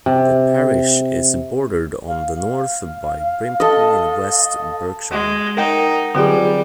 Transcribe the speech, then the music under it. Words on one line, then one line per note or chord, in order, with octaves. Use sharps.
The parish is bordered on the north by Brimpton in West Berkshire.
C3
F5
F5
A4 D#5
G#3
D#4 A#4 F#5 G5
D3 F#3 G3 C4 F4 G#4